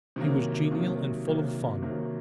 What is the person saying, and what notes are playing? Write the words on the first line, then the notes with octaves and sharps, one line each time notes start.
He was genial and full of fun.
C3 D#3 F#3 A#3
C3 D#3 F#3 A#3
C3 D#3 F#3 A#3
C3 D#3 F#3 A#3